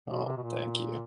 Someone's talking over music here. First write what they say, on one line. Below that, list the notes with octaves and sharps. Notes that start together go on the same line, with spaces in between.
Oh, thank you.
B2
C3
B2
A#2